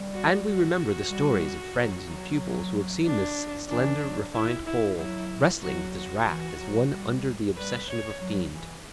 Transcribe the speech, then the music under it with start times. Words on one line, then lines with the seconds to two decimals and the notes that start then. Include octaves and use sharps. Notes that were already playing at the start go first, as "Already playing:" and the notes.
And we remember the stories of friends and pupils who have seen this slender, refined Pole wrestling with his wrath as one under the obsession of a fiend.
Already playing: G3
0.14 F#4
0.45 F#4
1.10 G3
1.75 F#3
2.07 F#3
3.04 D4
3.69 E3 D4
4.02 F#3
4.33 E4
4.65 E4
4.97 F#3 E4
5.62 F#3 F#4
5.95 F#4
6.27 E3
6.60 F#3
6.92 G3
7.57 G3 B4
7.89 C#5
8.21 F#3
8.54 E3